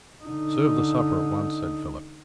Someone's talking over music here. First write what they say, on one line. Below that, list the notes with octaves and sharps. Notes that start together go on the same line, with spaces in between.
"Serve the supper at once," said Philip.
D3 D#4